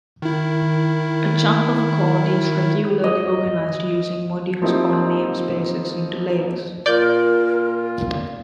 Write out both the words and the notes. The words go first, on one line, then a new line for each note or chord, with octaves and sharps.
A chunk of code is regularly organized using modules or namespaces into layers.
D#3 E4
D#5
F3 A#3 C4 D#4 E4 G4
A#2 F4 A#4 D5 G6